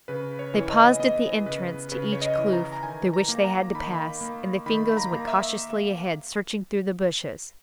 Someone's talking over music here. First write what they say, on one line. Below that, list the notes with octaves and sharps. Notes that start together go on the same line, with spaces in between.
They paused at the entrance to each kloof through which they had to pass, and the Fingoes went cautiously ahead searching through the bushes.
C#3 B4
C#5
E3
C#5
D#5
B3 D#5
C#3 B4
C#3 B4
C#5
D#5
E3
A#5
A#5
D#3 G#5
A#5
A#3
A#5
D#3 B5
A#3
D#3 B5
B5
A#5
A#3
E5